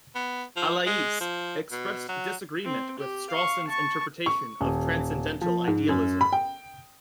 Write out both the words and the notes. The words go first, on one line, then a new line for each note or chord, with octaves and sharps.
Allais expressed disagreement with Strawson's interpretation of transcendental idealism.
B3
F3
G#3
F3
B2
F#3
C4
G4
F5 C#6
A5 C#6
C#6
D#1
F3
G#2
F#2
B5
G5